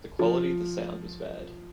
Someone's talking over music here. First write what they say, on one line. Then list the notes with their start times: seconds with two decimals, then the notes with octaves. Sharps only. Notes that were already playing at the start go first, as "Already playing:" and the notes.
The quality of the sound was bad.
0.19 F3